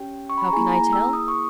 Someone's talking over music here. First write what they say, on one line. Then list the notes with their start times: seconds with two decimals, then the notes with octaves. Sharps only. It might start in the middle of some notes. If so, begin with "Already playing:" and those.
How can I tell?
Already playing: C#4 G4 G5
0.30 C#6
0.38 B5
0.46 A#5
0.53 A#3 E4 G#4 G#5
0.69 G#5
0.73 A#5
0.93 E6
1.13 D#6
1.28 C#6